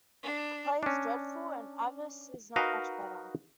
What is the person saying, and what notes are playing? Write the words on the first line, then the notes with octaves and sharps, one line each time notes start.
The play is dreadful, and Avice is not much better.
D4
C#4 D4
D#4 F#4 A#4 B4 D#5 F5